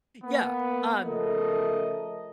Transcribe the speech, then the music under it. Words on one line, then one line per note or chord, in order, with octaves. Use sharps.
Yeah, um
A#3 B3
C#3 F3 A3 A4 A#4 D#5